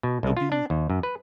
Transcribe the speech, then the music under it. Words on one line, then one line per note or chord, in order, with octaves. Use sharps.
He'll be
B2
C2
F4
D4
D#2
F#2
B4